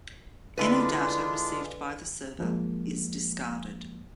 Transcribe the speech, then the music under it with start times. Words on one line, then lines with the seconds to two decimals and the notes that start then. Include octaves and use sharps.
Any data received by the server is discarded.
0.58 D3 G#3 D4 E4 F4 B4
2.39 F#2 F3 G#3 A#3